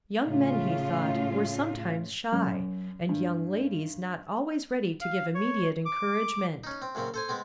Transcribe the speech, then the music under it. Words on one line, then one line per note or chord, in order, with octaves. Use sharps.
Young men, he thought, were sometimes shy, and young ladies not always ready to give immediate encouragement.
A2 C#3 A3 F4
F#2
G2
F5
C#5
D6
C#4 D#4
C4
F#2 A#2 C#3 C4
A4 C5 G#5
G#3 B3 C4